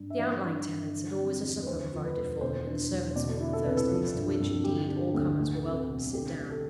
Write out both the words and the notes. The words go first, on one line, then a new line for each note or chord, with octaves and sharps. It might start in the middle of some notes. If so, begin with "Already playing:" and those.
The out- lying tenants had always a supper provided for them in the servants'-hall on Thursdays, to which, indeed all comers were welcome to sit down.
Already playing: G2
E5
E3 D5
D4
G2
D3
C4
E2
B4
D2 C5
F3
B4
E1
B2 C5
D4
E2
B2 D5
E4
A4
C2 B4
A4
F3
G2
G2
D3 G4
D4
D2
A2
C4
B1
D3 G4
A3
A4